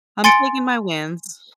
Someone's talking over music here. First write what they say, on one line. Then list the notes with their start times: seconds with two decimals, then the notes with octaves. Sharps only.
I'm taking my wins.
0.24 G#5 C6 A6 C#7 D7